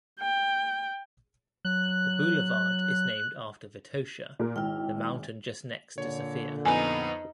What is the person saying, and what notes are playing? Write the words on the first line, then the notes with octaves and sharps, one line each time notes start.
The boulevard is named after Vitosha, the mountain just next to Sofia.
G5
F#3 F#6
A#2 A#4
G#1 E4 G5 F6
A#2 D3 C#5
F2 B3 D#4 G#5